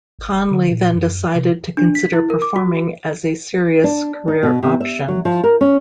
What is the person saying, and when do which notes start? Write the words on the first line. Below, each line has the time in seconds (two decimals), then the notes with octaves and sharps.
Conley then decided to consider performing as a serious career option.
0.19 G#1
0.33 F1
0.51 D3
0.71 A#2
0.95 F#2
1.35 C3
1.77 D4
1.95 B6
2.13 E4
2.30 A#4
2.42 D6
2.56 F#4
3.84 D4
4.28 D#4
4.43 B2
4.63 C3
4.80 E5
5.08 F#3
5.25 F3
5.43 A#4
5.61 C#4